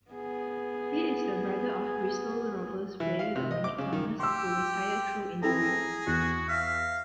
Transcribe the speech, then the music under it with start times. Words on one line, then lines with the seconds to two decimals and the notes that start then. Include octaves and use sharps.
He is the brother of Bristol Rovers player Dominic Thomas who retired through injury.
0.11 B3 G#4
3.00 E3
3.19 F5
3.36 C3
3.51 D#5
3.64 D6
3.79 C#3
3.93 D#3
4.20 G4 C6 E6
5.43 C4 E4 G#4 A4 A#5
6.07 E2 F#4
6.49 E5 F5